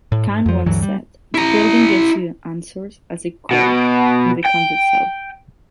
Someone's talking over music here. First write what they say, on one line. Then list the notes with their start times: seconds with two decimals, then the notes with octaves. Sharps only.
Kahn once said, the building gives you answers as it grows and becomes itself.
0.12 A2
0.29 G#2
0.46 F2 F3
0.66 D2 G2 E3 F#3
0.82 G3
1.35 E4 A#5
3.51 B2
4.46 G5